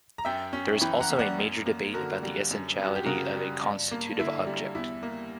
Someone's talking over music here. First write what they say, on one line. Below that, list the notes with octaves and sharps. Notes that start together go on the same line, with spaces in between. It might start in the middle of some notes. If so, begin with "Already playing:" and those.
There is also a major debate about the essentiality of a constitutive object.
A#5
F#2 E5 G5
C#4
E3 G5 B5
F#5 A#5
A#3
D5 F#5
F#2
A#3
D3 F#4 A#4
G3
F#2
F#2
F#4
G4
C#3 F#4 A#4
G3
G2
A#3
D3 E4
G3
E2 E4
A#3